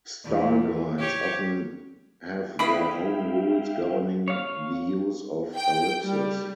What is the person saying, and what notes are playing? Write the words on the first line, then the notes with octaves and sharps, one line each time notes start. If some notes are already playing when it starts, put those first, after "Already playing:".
Style guides often have their own rules governing the use of ellipses.
E2
G4 C#5
D#4 E4 B4 E5 F5 G5 B5 D#6
C#5 F5
G5
G3